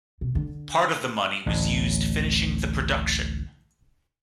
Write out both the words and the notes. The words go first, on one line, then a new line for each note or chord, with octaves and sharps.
Part of the money was used finishing the production.
B2
D3
A1 D2 A2